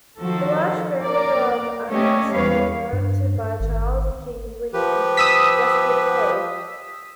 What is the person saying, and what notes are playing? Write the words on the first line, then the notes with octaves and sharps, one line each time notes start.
The large family of Amyas is referred to by Charles Kingsley in Westward Ho!
D#3 F3 F#4 A4
A#3 A#4 D5
A3 A#3 C#4 G4 C#5 D#5
E2 G3 B4 C#5 F5
G2
G#1
F3 G4 B4
D#6 E6 B6